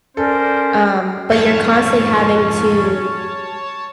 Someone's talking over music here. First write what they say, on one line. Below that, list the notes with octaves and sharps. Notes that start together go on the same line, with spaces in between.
Um, but you're constantly having to,
C#4 A4 A#4 C5 D5
F2 G#2 C#4 C#5 A5